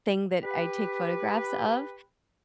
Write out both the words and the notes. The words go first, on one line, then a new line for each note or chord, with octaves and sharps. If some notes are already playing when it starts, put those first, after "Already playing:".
thing that I take photographs of,
G4 B4